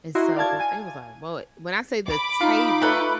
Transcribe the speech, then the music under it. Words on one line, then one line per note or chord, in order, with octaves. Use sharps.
And so, they was, like, "Well, it" when I say the table
E4 F#4 D#5 A#5 C6
D5 F5 A5 G#6
G#5 D#7
B5 D6
D#4 F4
A3 B4